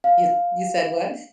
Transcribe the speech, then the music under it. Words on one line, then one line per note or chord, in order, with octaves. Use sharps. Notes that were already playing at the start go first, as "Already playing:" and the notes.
You you said what?
F5